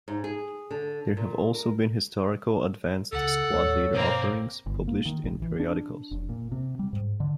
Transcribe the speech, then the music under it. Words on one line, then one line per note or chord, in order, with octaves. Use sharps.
There have also been Historical Advanced Squad Leader offerings published in periodicals.
G#2
G#4
D3
A#2
A#4
C#2 C#3 A4 F#5
D#2 A3 C#5
A#1 G2 B2 A#3 C4
G1
A#3
D#3
A#1
E3
D4
F1
A#2
C3
G3
G#2
D3